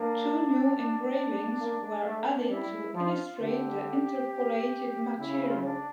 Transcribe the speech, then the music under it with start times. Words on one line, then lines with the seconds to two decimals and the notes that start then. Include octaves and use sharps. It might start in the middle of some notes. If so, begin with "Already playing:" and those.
Two new engravings were added to illustrate the interpolated material.
Already playing: A#3 D4
1.60 A#3
2.05 A3
2.49 G3 E4
2.94 F3 F4
3.39 D3 G4
5.19 C#3 E4
5.49 F4
5.56 E4
5.64 D4